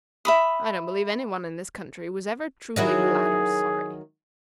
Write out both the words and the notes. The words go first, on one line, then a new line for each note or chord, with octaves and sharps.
I don't believe any one in this country was ever truly glad or sorry.
E5 B5 D#6
D#3 F#3 E4 G#4